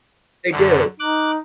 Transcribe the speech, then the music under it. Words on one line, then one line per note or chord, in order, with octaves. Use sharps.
They do.
F#2 D3
D#4 D6 F#6